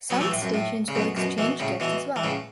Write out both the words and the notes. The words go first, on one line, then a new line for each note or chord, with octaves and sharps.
Some stations will exchange gifts as well.
F#3 B3
E3 A3
A2
F#2
A2
C#3
F#2 B2
F#2 B2
B2 E3
A2 C#3
B2 E3
E3
A2 C#3